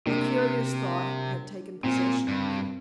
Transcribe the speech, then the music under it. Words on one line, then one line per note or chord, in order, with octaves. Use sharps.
A curious thought had taken possession of me.
C3 A#3 D4
A#2 C4
G2